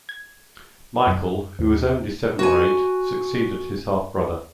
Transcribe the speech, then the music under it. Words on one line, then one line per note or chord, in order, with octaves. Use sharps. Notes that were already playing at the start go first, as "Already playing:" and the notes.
Michael, who was only seven or eight, succeeded his half-brother.
G#6
F#2
D#2
F#4 G#5